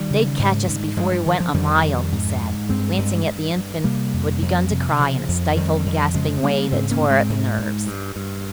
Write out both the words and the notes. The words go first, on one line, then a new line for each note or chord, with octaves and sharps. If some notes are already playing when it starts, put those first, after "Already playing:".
"They'd catch us before we went a mile," he said, glancing at the infant, who had begun to cry, in a stifled, gasping way that tore at the nerves.
Already playing: D#3 G3
C#3
G#2
G#2
G2 F3 G#3
F3
G2 D#3
F3
F2 D#3 G3
F2
G#2
G#2
G2 G#3 C4
G2
G2
G2
C3 G3 A#3
F2
F2
C3
C#3 F3
F2
F2 D#3 G3
F2
C#3 F3 G#3
C#3 G3 A#3
G#2 G#3 C4
A#3 C#4
G#2
G#3 C4
G#2
G#2
G2
G2